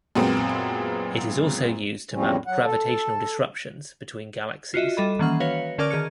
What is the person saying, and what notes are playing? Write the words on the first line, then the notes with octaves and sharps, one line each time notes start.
It is also used to map gravitational disruptions between galaxies.
F#2 A#2 G#3 B3 C4
E2 A2 F3 G3 C4 C#4
F#3 F#5
A4
F4 F#4 D#5 E5
G3 A4 D#5 B5
D#3 E3 A#3 C#4 F#5 F6
F#4 B4 C#5 F5 A#6 C#7
D3 C#4 A#4 D5 D6 F6
D#3 G#4 F6 C#7